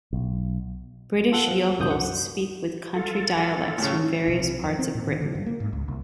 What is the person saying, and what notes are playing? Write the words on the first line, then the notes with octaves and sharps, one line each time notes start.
British yokels speak with country dialects from various parts of Britain.
B1
F4 A4 F#5
F3
C2 F#2 A#2 D#3 D#6 G6
F#5
F4 A4
A2 C#3
B1
C3
F2
C4
A#2
D#3
D3
G2
A#3
G#2
C#2
C2